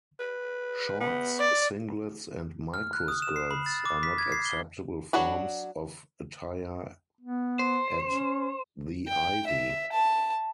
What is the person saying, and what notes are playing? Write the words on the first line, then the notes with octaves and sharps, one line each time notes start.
Shorts, singlets and micro-skirts are not acceptable forms of attire at The Ivy.
B4
B3
D5
F6
F#6
D#6
E7
C7
B5
A6
D6
B6
G#6
C7
G7
F#3 D4 F#4 B5
B3
C5
C#4
G5
E5
A5